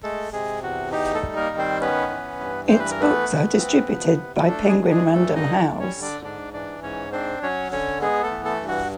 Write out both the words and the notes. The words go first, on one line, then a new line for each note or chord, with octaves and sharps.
Its books are distributed by Penguin Random House.
G#3 A3 A4
C3 G#3 G#4
E2 F#4
D#4 G4
A3 A4
G3
A#3 A#4
D#3
C4 C5
B3 C#4 B4
E3
G2
E3 C5
B4
A#4
A3 B3 B4
E3
C4
F3
C3
A3 D4 A4
G#3 G#4
E3
G#3 G#4
G2
A3 A4
D3 D#4 D#5
D4 D5
G3
C#4 C#5
D3
D4 D5
G#2 D4 D5
E3 D4 D5
G#2 C#4 C#5
C4 D4 C5
F#3 C#4 C#5
D3 C#4 C#5
G#3 B3 G#4
A3 A4
E3
A3 A4
G2
F#4